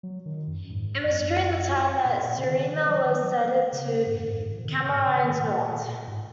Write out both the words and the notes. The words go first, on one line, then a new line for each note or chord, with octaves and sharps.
It was during this time that Siruma was ceded to Camarines Norte.
F#3
D#3
F#2
G#2
F#2
A#2
C#3
D#3
C#3
D#3
F#3
D#3
F#3
C#3
G#2
F#2
G#2
G#2
A#2
D#3
C#3
G#2
C#3
D#3
A#2
G#2